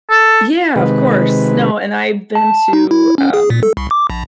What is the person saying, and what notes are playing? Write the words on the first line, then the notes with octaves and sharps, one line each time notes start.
Yeah, of course. No, and I've been to, um,
A4
C3 D#3 G#3 B4
A5
D#4
E4
C#4
G#4
A#2
A4
C2
D6
A#1